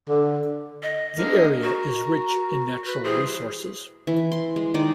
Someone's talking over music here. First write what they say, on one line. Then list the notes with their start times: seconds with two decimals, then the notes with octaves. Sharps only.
The area is rich in natural resources.
0.09 D3
0.83 D#5
1.18 D3 G#3 A#3
1.63 F#4 A#4
2.87 B4
3.04 E3 G3 G#4 C5
4.07 E3
4.32 C6
4.56 G#3
4.74 D#3 G#3 D#4 D5